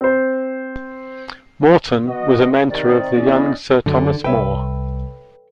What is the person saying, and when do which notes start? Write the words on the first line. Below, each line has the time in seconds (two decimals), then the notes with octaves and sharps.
Morton was a mentor of the young Sir Thomas More.
0.01 C4 C5
2.07 B3 F#4 D#5
2.70 C3 D#3 D5
3.17 E2 C#4 D4 D#5
3.86 F#2 D3
4.24 C2 B4 C#5 E5 G5